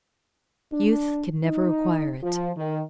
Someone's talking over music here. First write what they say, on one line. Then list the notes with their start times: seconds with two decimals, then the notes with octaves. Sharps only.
Youth can never acquire it.
0.72 D4
1.45 D#4
2.23 F3
2.57 D#3